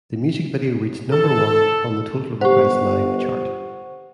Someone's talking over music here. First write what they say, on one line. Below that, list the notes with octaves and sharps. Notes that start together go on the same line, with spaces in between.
The music video reached number one on the "Total Request Live" chart.
A4
G1 G4 C5 F#5 C#6